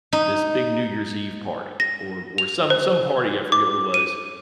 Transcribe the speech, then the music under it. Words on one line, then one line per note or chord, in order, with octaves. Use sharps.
this big New Year's Eve party or or some some party, I forget what it was,
D#4
A#6
F7
C5
D6
D#7